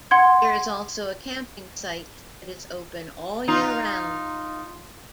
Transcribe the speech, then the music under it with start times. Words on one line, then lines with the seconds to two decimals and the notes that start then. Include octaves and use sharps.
There is also a camping site that is open all year round.
0.11 F#5 C6 G#6
3.48 D#4 F4